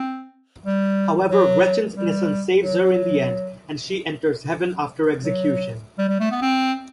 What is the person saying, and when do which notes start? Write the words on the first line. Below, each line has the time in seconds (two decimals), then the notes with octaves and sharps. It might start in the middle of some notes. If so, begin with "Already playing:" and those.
However, Gretchen's innocence saves her in the end, and she enters Heaven after execution.
Already playing: C4
0.65 G3
1.31 F#3
1.96 G3
2.62 F#3
5.23 F#3
5.99 G3
6.09 G3
6.20 A3
6.32 B3
6.42 C4